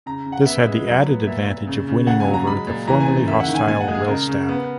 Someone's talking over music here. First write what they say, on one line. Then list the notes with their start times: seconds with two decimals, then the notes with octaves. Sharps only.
This had the added advantage of winning over the formerly hostile Rellstab.
0.06 C#3 A#5
0.26 C#3
0.32 F#5
0.46 B3 E5
0.67 G#3
0.87 F#3
1.06 B3
1.26 A#2 E5
1.47 A#2
1.67 C#3
1.87 C#3
2.06 A#2 F#5
2.20 G#5
2.27 F#3
2.34 A#5
2.47 G#3 B5
2.67 A#2
2.87 E3 A#5
3.00 G#5
3.08 C#3
3.27 A#3 E5
3.40 F#5
3.48 D#3
3.55 G#5
3.68 A#2 G#5
3.80 F#5
3.88 G#3
3.95 G#4
4.08 C#3 A#4
4.27 C#3
4.49 B3